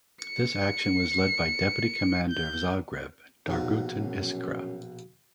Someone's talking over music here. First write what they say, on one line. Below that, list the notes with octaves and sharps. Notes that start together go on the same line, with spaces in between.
This action was led by deputy commander of "Zagreb" Dragutin Iskra.
C#7
G6
A#1 D#2 B2
F#2